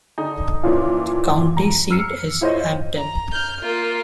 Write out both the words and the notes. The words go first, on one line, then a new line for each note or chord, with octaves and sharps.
The county seat is Hampton.
D3 D#4
A#2 E3 F3 C#4 D4 F4
A#5
E6 F6 C7 C#7
E4 F4 C5 C#5 D#5
A#5
F6 G6
A#3 F4